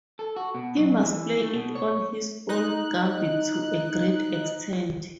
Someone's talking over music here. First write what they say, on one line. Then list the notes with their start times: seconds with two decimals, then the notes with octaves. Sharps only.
He must play it on his own gambit to a great extent.
0.19 A4
0.36 F#4
0.55 B2
0.77 F#3
1.02 E3
1.40 A3
1.54 B2
1.75 C#5
2.49 D#4 F#6